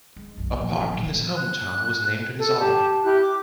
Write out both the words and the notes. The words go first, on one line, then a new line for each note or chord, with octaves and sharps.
A park in his home town was named in his honour.
G#3
B1 F#2
A#2 F3
D#3
A#2 F3
B2 G3
F#6
A4
G4 A5
E4 G4 F#6
D6